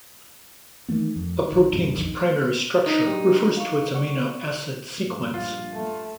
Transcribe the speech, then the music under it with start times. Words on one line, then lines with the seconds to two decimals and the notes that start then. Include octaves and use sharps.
A protein's primary structure refers to its amino acid sequence.
0.88 D#3 E3 A3 B3
1.16 F2
1.48 A#1 D#3
1.71 G#1 E2 G2 C3
1.97 A#1 F2 D#3
2.86 D#4
3.04 F#3 D4 G4
3.57 F5 C#6
3.94 D5 F#5 C#6
4.98 A#1 G2 F3 G3 A#3
5.34 F4
5.73 A3